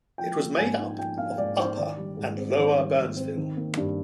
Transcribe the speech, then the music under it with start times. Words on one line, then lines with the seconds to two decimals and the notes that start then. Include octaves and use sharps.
It was made up of Upper and Lower Byrnesville.
0.18 F3 G5
0.39 A#3
0.58 G#2 G#5
0.79 D#4
0.98 F3 G5
1.18 A#3 F5
1.38 G#2 D5
1.58 D#4 C5
1.77 D#3 D5
1.97 G3
2.17 G#2
2.37 C4
2.58 D#3 C5
2.77 G3
2.97 G#2
3.17 C4
3.37 D#3
3.57 A#3
3.77 G2